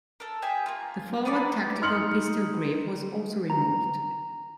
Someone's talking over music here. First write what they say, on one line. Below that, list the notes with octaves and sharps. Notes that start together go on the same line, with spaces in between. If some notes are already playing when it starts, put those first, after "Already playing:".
The forward tactical pistol grip was also removed.
A4 A#4
G4 G#4 E5 G#5
A#3 F4
B3 D#4 E4 D5
D#4 C6 F6 C#7 F#7
A#5